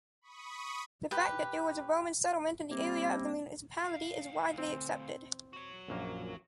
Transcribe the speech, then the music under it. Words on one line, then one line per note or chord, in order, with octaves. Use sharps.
The fact that there was a Roman settlement in the area of the municipality is widely accepted.
B5 C#6 D#6
G4 B4
C3 G3 A#3 C4
D2 F5
C4
F#4 C#5
A#1 F#2 A#3